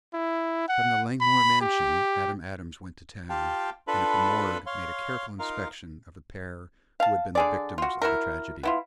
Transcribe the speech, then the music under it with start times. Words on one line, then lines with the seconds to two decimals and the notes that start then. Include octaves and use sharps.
From the Langmore mansion Adam Adams went to town, and at the morgue made a careful inspection of the pair who had been the victims of the tragedy.
0.14 E4
0.68 F#5
1.21 B5
1.61 G4
3.29 F4 G4 F5 G5 A5
3.88 D4 F4 A4 B4 B5
4.66 C#5 F5 C6
5.39 D#4 F4 A#4 F5
7.00 F5 A5
7.35 D3 G#4 D5
7.78 F4 F#4
8.02 E4 F#4 A#4
8.63 B3 E4 F4